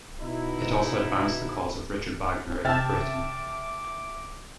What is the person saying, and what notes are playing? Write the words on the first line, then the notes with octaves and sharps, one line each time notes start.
It also advanced the cause of Richard Wagner in Britain.
B2 D#4 E4
C3 E5 G5 A5 D6 E6 F6 A6